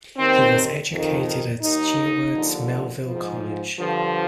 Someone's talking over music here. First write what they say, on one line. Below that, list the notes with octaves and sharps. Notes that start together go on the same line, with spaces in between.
He was educated at Stewart's Melville College.
D#2 D#3 C4
F2 D#3
D#2 D#3 D#4
D#2 D3 F3
G#2 F3
G2 D3 F3